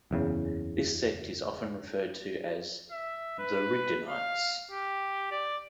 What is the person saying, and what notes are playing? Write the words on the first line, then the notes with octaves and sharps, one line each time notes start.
This sect is often referred to as the Rigdonites.
F#1 E2 C#3
E5
B4
F5
G4
D5